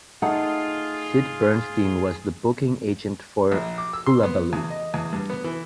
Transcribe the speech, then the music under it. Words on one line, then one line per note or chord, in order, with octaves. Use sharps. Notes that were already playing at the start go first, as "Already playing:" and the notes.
Sid Bernstein was the booking agent for Hullabaloo.
A3 D#4 F4 G#4 F#5
A#1
D6
E6
C6
B3
E2
D#5
E2
G2
B3
E3